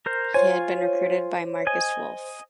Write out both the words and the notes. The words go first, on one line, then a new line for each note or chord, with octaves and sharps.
He had been recruited by Markus Wolf.
A#4 C5
F4 C5 C#5 G#5
D#5 G#5